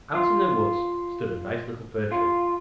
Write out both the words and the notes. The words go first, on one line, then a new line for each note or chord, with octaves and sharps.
Out in the woods stood a nice little Fir Tree.
F4
F4